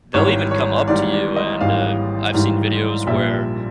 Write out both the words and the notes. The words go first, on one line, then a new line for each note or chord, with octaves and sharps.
they'll even come up to you, and, uh, I've seen videos where
G#1 G#2 E3 G3 C#5
C#5
G#1 G#2 E3 G3 D5
D5
D#5
G#1 G#2 E3 G3 F5
G#1 G#2 E3 G3
A#1 A#2 G3 E5